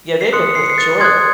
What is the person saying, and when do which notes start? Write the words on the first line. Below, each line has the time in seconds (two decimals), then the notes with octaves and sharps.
Yeah. They would, for sure.
0.21 C7
0.33 C6 D#6 F#6 C#7
0.55 C7
0.64 C#7
0.70 C7
0.78 A6
1.00 C6 D#6 F#6 G#6